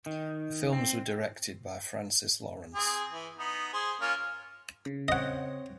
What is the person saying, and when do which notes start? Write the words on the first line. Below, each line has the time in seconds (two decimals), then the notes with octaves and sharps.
The films were directed by Francis Lawrence.
0.06 D#3
0.73 C4
2.75 C4 G#4
3.10 E3
3.38 B3 D#4
3.73 G#4 C5
4.01 A#3 C#4 F4
4.86 C#3
5.08 C4 C5 C#5 D#5 F#5